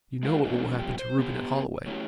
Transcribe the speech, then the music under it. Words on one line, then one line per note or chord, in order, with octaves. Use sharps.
You know what will happen to Reuben at Holloway.
G#3 F4 A#4 F5
E3 G#3 A#3 C4 C#4 D#4
G2 B2 F3 G4
C5
B3 G4
F#3 A3 C#4 E4 F#4 G4